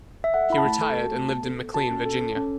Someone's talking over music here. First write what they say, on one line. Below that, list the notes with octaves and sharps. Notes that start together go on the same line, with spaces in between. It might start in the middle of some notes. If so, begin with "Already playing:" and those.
He retired and lived in McLean, Virginia.
E5
A4 F#5
E4 B5
A5
A3
A4
F#4
A3
B3
A4
A4
F#4 A5
C#4
A4
A4
C#4